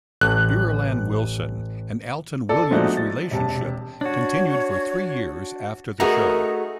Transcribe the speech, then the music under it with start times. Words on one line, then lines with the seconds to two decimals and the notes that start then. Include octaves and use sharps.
Irulan Wilson and Alton Williams' relationship continued for three years after the show.
0.21 A1 F#6
2.49 A4 D5
2.70 F3 G#3 A3 D4 D#4 F#4
2.97 A6
3.31 E1 C3 A5
4.01 D4 F#4 C#5
6.00 A3 B3 D#4 F#4 G#4 A#4 A#5